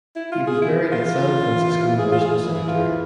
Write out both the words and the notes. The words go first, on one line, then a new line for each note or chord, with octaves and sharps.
He was buried at San Francisco National Cemetery.
E4
F4
G#4
E3 E4
F4
E3
G#4
F4
G#4
E3 G#4
F4